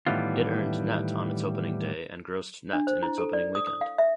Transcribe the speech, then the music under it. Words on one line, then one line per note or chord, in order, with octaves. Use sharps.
It earned nett on its opening day, and grossed nett in its opening weekend.
A2 D#3 E3 G3 B3 F4
D4
C5
E4
A4
D5
D#6
D#6
F5
E5